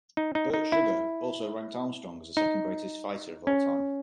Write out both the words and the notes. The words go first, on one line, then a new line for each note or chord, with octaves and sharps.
Bert Sugar also ranked Armstrong as the second-greatest fighter of all time.
D#4
D#4
D#4
E4
D#4
C#4